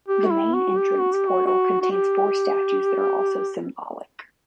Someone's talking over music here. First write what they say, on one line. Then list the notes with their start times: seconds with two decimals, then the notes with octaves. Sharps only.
The main entrance portal contains four statues that are also symbolic.
0.09 G4
0.26 F#4
0.31 E4
0.54 F#4
0.77 G4
1.00 F#4
1.14 G4
1.28 F#4
1.46 F#4
1.82 F#4
1.92 G4